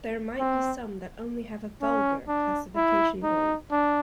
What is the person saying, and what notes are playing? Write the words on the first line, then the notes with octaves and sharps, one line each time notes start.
There might be some that only have a vulgar classification goal.
C4
C#4
D4
E4
D#4
D4